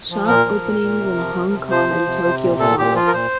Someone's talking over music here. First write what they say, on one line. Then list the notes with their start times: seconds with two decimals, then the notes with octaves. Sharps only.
Shop openings in Hong Kong and Tokyo followed.
0.10 F3
0.28 A#2 A#4
0.45 F3
0.64 A#2
0.81 A#2
0.99 C3
1.17 F3
1.35 C3
1.52 C3
1.71 F3 C5
1.89 F3
2.06 C3
2.24 C3
2.43 A#2
2.59 A#2 A4
2.78 A#2 G4
2.95 F3 F4
3.07 A#4
3.14 A#2 C5